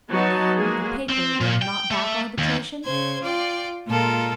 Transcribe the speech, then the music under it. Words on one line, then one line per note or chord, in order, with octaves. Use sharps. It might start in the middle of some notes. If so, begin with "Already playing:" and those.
"Then the paper will not back arbitration?"
F#3 B3 D#4 F#4 A5
F#3 G#3 A#3 G#4
C4
A#2
G5
A3
D#2
C#3 C5 G#6
F4 D5 G5
A#2 G#3 F4 A4 A#4